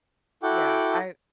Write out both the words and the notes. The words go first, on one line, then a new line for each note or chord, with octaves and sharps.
Yeah. I
E4 F#4 A4 F#5 G5 D6